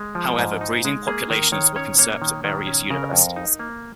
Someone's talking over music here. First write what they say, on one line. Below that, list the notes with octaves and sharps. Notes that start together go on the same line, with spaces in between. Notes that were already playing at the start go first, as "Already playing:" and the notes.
However, breeding populations were conserved at various Universities.
Already playing: G#3
F3
G#2
D#4
G#3
A#3 G#4
D#3 A#4
D#3 C#5
C#4 C#5
A#3 C#5
D#3
D#3
C#4
C#3 A#4
F2
D#4
A#3